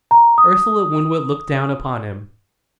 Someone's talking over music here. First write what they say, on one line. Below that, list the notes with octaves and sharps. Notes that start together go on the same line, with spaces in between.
Ursula Winwood looked down upon him.
A#5
D#6